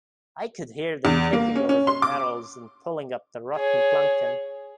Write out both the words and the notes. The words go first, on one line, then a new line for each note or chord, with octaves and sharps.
I could hear them kicking over the barrels and pulling up the rotten planking.
E2
A#3
C#4
C#4
C6
D6
G#4 C#5